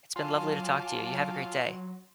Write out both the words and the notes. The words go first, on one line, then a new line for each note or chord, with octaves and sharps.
It's been lovely to talk to you. You have a great day.
F#3 F4 G#5 A5 C6 D6